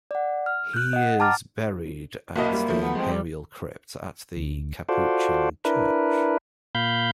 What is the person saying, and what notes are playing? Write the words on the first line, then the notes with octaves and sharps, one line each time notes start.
He is buried at the Imperial Crypt at the Capuchin Church.
D5 F#5
F6
F#6 G6
D#5 F#5
G5 A5 A#5 D6 F6 A6
B1 A#3 E4 F#4 D#5
F#2 G3
F3 F#3 A3
B3
G#3 C4
G3
D2
F4 F#4 A4 C5 D5
D4 E4 A#4 B4
A#2 F5 B5 G6